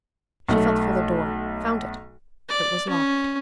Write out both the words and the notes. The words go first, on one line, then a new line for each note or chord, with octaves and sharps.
She felt for the door, found it--it was locked.
B1 A3
D5
C#4